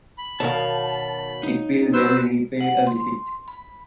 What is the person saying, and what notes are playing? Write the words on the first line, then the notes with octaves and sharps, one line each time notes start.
It will well repay a visit.
B5
B2 D#3 A#4 C#5 F5 A5
D#4
F#3 B4 C5 E6
F#5
C6
B5